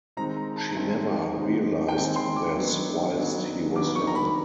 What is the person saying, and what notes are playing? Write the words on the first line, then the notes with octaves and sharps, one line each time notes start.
She never realised this, whilst he was young.
D#3 G#3 C4 D#4 A#5
A#5
A5
D#3 G#3 C4 D#4
D#3 G#3 C4 D#4
G5
D#3 G#3 C4 D#4 G#5
C6
D6
D#3 F#3 B3 D4
D#3 F#3 B3 D4
D#3 F#3 B3 D4 D6
C#6
A#5
B5